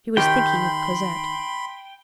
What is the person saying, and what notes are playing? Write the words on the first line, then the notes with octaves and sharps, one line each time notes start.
He was thinking of Cosette.
D#3 G4 G5 B5 C6